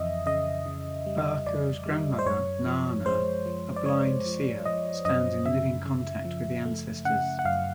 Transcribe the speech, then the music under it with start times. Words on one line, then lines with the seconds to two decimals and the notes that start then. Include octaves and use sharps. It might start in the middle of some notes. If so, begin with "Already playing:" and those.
Baako's grandmother Naana, a blind-seer, stands in living contact with the ancestors.
Already playing: F2 C#3 E3 D#5 E5
0.26 C#3 D#5
0.66 C#3
1.06 G3
1.46 F2 D5
1.86 G3
2.19 C5
2.26 F#2 C#5
2.66 F3
3.06 G#3 C5
3.46 F3
3.76 D5
3.86 G#3 C#5
4.26 F3
4.65 F3 D#5
5.05 F#2 D#5
5.46 C#3 E5
5.85 C#3
6.25 F3
6.65 A3
7.05 C#3 F#5
7.39 F#5
7.45 F#2 F5